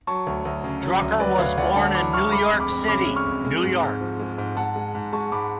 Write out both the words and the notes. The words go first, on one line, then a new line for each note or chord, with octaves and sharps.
Drucker was born in New York City, New York.
F#3 A5 C#6
D2
D2
C#3
F#3
D2
F#3 B4 D5
D2 C#5 F5
D2 D5 F#5
D3 F#5 A5
F#3 B5 D6
D2 C#6 F6
G#3 B5 D6
F2
B5 D6
F2
C#3 B5 D6
G#3
C#6 F6
F2
G#3
G#2
G#2
F3
G#3
G#2
G#2 F#5 A5
G#3
G#2
G#3 A5 C#6
G#2 B5 D6